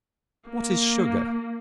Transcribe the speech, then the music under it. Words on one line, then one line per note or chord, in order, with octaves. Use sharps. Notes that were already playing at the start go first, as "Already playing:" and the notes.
What is Sugar?
A#3